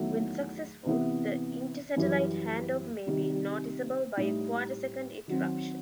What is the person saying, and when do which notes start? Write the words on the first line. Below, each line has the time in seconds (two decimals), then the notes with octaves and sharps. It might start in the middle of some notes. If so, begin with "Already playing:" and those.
When successful, the inter-satellite handoff may be noticeable by a quarter-second interruption.
Already playing: E2 D#3 F#3 A3 E4
0.86 C3 E3 B3 E4
1.96 F#2 E3 G3
3.06 C3 D#3 G3
4.17 A2 G3 D#4
5.28 D#3 F#3 C4